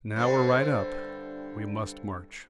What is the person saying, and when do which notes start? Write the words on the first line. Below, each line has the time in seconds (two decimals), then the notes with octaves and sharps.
Now we are right up, we must march.
0.16 G2 D3 C4